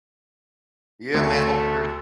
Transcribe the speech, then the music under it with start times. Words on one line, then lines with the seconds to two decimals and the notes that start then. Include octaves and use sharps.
yeah, man, hope your
1.14 D2 A3